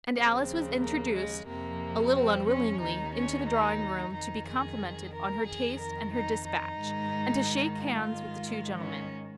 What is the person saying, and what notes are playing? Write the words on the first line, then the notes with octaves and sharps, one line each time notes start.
And Alice was introduced a little unwillingly into the drawing room to be complimented on her taste and her despatch, and to shake hands with the two gentlemen.
D#2 C#3 F3 C4
A#3
G#3
F2 C3 F3 A#3
C4
C#4
D#2 D#3 D#4
C#4
D#4
F2 D#3 D#4
G#4
A#4
F2 D#3 G#4
A#4
D#4
D#4
G#2 D#3
F4
G#2 D#3
C#4